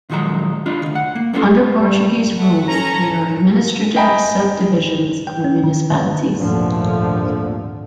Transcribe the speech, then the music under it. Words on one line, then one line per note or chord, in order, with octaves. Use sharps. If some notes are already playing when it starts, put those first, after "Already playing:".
Under Portuguese rule, they were administrative subdivisions of the municipalities.
A#2 D#3 F3 F#3 G#3 A#5
D4 D#4 F4
D2 C#3
F#5
A#3
A#3 B3 C#4 D4 F4 A4
G3
A3 F#5
C#4 A4 A#5
D#5 G5 G#5 A#5 B5
G5
C#4
D#3
D3
G#1 D#2 A#2 D3 F3 A3